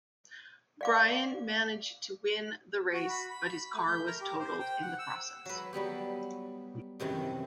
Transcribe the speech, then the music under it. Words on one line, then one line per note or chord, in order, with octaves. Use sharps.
Brian managed to win the race, but his car was totaled in the process.
D5 F5 D6
F#4
B5
B5
A3
G6
A#4
G4
C5
G5
F#5
E6
F#3 B4
F#3 G3 B3 G4
F#2 C3 D#3 E3